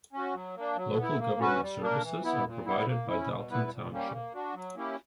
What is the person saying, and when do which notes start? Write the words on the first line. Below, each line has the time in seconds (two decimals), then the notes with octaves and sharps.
Local government services are provided by Dalton Township.
0.13 C#4 F#4
0.34 F#3
0.56 A#3 D4
0.76 F#3
0.97 B3
1.02 E4
1.19 A#3
1.40 C#4 F#4 B4
1.61 G3
1.81 A#3 D4 A#4
2.02 E3
2.24 B3 E4
2.45 A#2
2.65 G3 B3 E4
2.86 A#3
3.08 C#4 E4
3.28 B2
3.49 G3 B3 E4 B4
3.70 A#2
3.92 G3 A#3 C#4 G4
4.12 A#3
4.33 D4 F#4
4.54 F#3
4.75 A#3 C#4 E4 G4